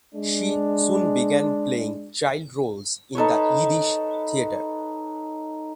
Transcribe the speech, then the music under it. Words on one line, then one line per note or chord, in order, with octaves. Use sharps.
She soon began playing child roles in the Yiddish Theatre.
G#3 D4
D#4 A4 B4 C#5